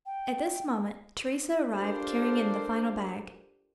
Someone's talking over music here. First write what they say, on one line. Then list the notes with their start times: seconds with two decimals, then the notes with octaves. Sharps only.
At this moment Teresa arrived carrying in the final bag.
0.06 G5
1.71 D4 F4 G4 A4 A#4 C5